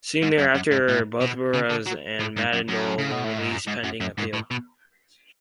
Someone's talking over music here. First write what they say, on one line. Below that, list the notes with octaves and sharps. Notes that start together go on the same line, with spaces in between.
Soon thereafter both Burros and Madole were released pending appeal.
G#2
F#2
F#2
G#2
A2
B2
C#3
D3
F#3
A2
G#2
F#2
F#2
C#3
B2
A2
G#2
F#2
G#2
F#2
F#2
G#2
A2
B2